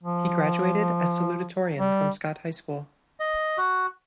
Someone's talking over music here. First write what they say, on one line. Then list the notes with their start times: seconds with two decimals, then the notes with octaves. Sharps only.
He graduated as salutatorian from Scott High School.
0.04 F3
1.77 G3
3.20 D#5
3.58 F#4